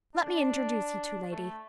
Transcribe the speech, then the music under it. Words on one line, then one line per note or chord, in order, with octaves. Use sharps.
Let me introduce you two ladies.
D4
A3